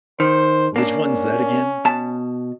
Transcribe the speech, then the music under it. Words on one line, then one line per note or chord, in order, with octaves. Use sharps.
Which one's that again?
D#3 C5
A#3 C#4 D4
B2 A5